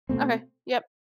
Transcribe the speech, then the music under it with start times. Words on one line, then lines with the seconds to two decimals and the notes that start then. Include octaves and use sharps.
Okay. Yep.
0.09 B2 A3 C4